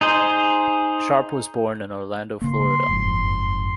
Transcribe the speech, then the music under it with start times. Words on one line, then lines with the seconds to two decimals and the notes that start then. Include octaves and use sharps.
Sharp was born in Orlando, Florida.
0.01 D#4 G#4 C5
2.41 C#3 A#3 C6
2.89 F#1 F2 G#2